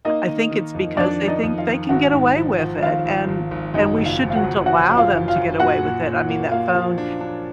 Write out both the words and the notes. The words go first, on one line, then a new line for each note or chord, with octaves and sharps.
I think it's because they think they can get away with it, and and we shouldn't allow them to get away with it. I mean, that phone
A#3 D#4 D#5
D#3
D#3
F2
F2 D4 D5
D#3
D#4 D#5
F2
F4 F5
D#3
G#1 F#4 F#5
G#2
F3
F3
G#1 F4 F5
G#1
G#1
G#1
F#2 D#4 D#5
F#1
F4 F5
F3
F5
F#4 F#5
F#1
F3 F#4 F#5
F#2
F4 F5
F#2
F4 F5
F#2
A#2 F#4 F#5
A#2
A#2
A#3
A#3 F4 F5
F3
D4
D4